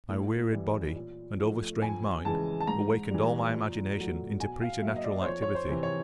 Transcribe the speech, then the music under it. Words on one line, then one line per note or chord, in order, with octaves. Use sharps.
My wearied body and overstrained mind awakened all my imagination into preternatural activity.
A2
E3 G3
A#2
F3 A3
F2 G#5
C#3 E3 G#3 A5
A5
G#2 A#5
E3 G3
A#2
F#3 A3
B2 G#5
F5
F#3 A#3 E5
D#5
D5
C5
F2 C#5
C#5
C5
C3 E3
C#5